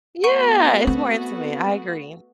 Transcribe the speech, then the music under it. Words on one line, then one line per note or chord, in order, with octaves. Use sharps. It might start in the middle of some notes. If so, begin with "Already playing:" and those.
Yeah, it's more intimate, I agree.
A3 B3 F#4 F#5 C#6 D#7
C4